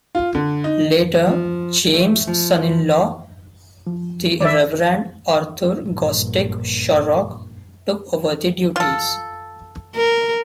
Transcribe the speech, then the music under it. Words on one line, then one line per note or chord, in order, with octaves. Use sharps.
Later James' son-in-law the Reverend Arthur Gostick Shorrock took over the duties.
F4
D3
D#4
F3
A3
F3
F3
D#3 D5 E5
A#1 G2
F4 A4
A#4